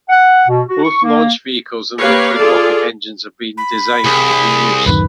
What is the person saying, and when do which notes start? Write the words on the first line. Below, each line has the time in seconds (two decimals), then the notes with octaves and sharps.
Both launch vehicles and liquid rocket engines are being designed for reuse.
0.09 F#5
0.48 B2
0.68 F#4
0.83 C#6
1.03 A#3
1.99 A#3 G4 B4 C#5 F5
2.37 F4 G#4 A4 D5
3.58 B5
4.05 C2 G#4
4.86 D1 F#2 D#3 B4